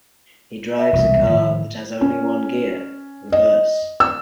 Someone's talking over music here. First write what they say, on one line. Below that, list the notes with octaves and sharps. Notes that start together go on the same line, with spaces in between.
He drives a car that has only one gear, reverse.
E5
E1 C2
A2 D#3 F3
C#4
D#5
E6